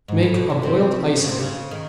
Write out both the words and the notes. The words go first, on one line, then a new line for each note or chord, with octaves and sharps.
Make a boiled icing.
G#2
A2
B2
C3
C3
C#3
C3
C#3
D#3